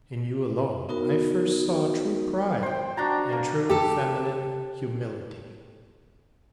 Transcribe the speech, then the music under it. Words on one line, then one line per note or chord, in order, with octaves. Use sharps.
In you alone I first saw true pride and true feminine humility.
B3 D#4 F#4 A#4
C5 G5
D4 F#4 A5 A#5
A#3
G4 A4